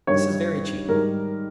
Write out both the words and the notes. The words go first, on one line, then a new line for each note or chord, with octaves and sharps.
This is very cheap.
G2 D#3 G3 C#5
G#2 D#3 G3 A#4